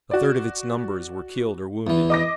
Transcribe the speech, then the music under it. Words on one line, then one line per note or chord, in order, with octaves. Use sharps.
A third of its numbers were killed or wounded.
F#4 D5
E2 E3
D#5 D6 A#6